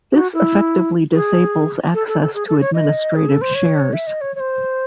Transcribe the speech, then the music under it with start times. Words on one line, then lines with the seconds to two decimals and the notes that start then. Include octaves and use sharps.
This effectively disables access to administrative shares.
0.14 F#4
0.34 E4
1.14 G#4
1.94 A4
2.08 A4
2.21 A4
2.34 G#4
2.48 A4
2.61 C#5
2.74 D#5
3.15 G#4
3.29 A4
3.42 C5
3.55 C#5
3.93 E5
4.07 D#5
4.21 C#5
4.35 C#5
4.40 C5